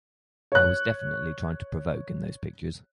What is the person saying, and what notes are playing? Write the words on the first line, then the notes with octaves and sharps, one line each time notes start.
I was definitely trying to provoke in those pictures.
C#5 F#6